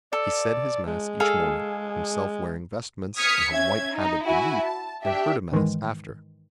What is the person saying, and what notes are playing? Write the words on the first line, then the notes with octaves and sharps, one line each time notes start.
He said His mass each morning, Himself wearing vestments and His white habit beneath, and heard a mass after.
A4 D5
G#3
G#4 A4 F5
D#6 F6 G#6 B6 C#7
C#4 E5 G#6
D#4
E4 F#4 E5 G#5
A5
D4 G4 E5
G#2 D#3 E3 G#3